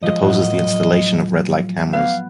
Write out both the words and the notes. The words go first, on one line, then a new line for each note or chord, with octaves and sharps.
It opposes the installation of red light cameras.
F3 G#3 D#5
A2 F3 F#3
B3 F5